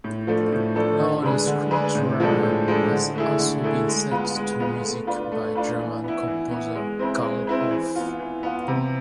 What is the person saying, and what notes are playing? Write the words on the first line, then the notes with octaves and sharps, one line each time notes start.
Laudes Creaturarum has also been set to music by German composer Carl Orff.
A2
F3 A3 D4 A4
A2
F3 A3 D4 A4
D3
G#3 D4 G#4 B4
D3
G#3 D4 G#4 B4
A2
F3 G#3 D4 A4
A2
F3 G#3 D4 A4
D3
A3 E4 G#4
D3
A3 E4 G#4
G#3
B3 F4 B4
G#3
B3 F4 B4
A3
D4 F4 B4
A3
D4 F4 B4
E3
B3 E4
E3
B3 E4
G#3
C4 E4 B4
G#3
C4 E4 B4
E3
B3 F4
E3
B3 F4
C3